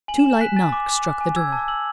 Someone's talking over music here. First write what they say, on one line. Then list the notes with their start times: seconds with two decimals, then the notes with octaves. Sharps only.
Two light knocks struck the door.
0.08 G#5 F#7
0.19 E7
0.24 G#5
0.30 E7
0.41 F#6 B6
0.56 G#5 A6
0.72 D6
0.88 D6
1.04 F#6
1.21 G#5
1.36 E6 G#6
1.52 A5
1.68 E6 F#7